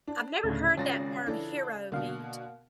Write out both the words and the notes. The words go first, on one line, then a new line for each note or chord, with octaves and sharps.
I've never heard that term "hero meat."
D4
D2 A2 C#3 A3
G#1 C#4 F4 A6 A#6
E3 D4 A4
B2 D3 A#3 F5